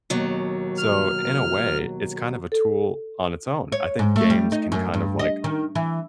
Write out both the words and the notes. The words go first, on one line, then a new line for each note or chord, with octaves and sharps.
so, in a way, it's kind of a tool on its own; I think games can kind of, like
D#2 B2 F#3
F6
A4
C#5
G#2
A3
G3
D#4
F#2
G2
D#5
D#3
E3